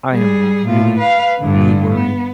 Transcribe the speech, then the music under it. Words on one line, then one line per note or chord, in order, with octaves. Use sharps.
I am really, really worried
G3 G#4
A2 F4
B4 F5
G2 D3
B3